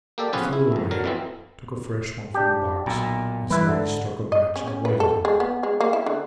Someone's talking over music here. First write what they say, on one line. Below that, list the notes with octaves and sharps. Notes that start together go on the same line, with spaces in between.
He threw it away, took a fresh one from the box, and slowly struck a match and lighted it.
A#3 G4 A4 D5
F3 B3 C#4 F4 G#4 B4
E4
A#1 F2
D3 F#3 A#4
F2 B2 E3 F3 C4
D4 G4
B1 A#2
E3 G3 E4 B4
G#2 D3
D#5
C#4
C#4
B4
A4
G#3
B3
G#3
A#3
E4
D3